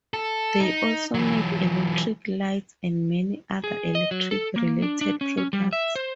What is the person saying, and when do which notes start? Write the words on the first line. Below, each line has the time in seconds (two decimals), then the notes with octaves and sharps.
They also made electric lights and many other electric-related products.
0.14 A4
0.60 D#4
1.15 E3 F#3
3.64 G#4
3.95 D#5
4.11 F#3
4.31 A4
4.56 A#3
4.82 D4
5.01 D4
5.21 C#4
5.38 C#4
5.53 G3
5.73 E5
5.96 C5